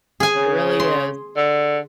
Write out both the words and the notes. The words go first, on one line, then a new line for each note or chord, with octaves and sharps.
It really is.
G#4 G#5
C#3
C6
D3